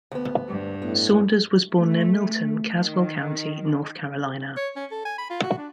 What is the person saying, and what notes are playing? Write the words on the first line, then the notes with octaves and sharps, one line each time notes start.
Saunders was born near Milton, Caswell County, North Carolina.
D2 B3
G2
A2 B3
A3
D#3
C#5
C#4
A4
G#5
B5
F4
F#4
D4